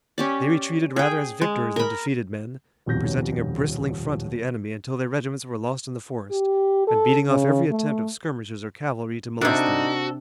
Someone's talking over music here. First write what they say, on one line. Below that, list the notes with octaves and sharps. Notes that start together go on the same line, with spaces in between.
They retreated rather as victors than defeated men, presenting a bristling front to the enemy until their regiments were lost in the forest, and beating off every attempt of skirmishers or cavalry to molest them.
C#4 G4 D5
G#4 G5
G#3
A#4 B5
D#1 B1 F2 C#5 G6 A#6
G4
A4
C#3
A3
C3 D4 D#4 F#4 A4 C5 D5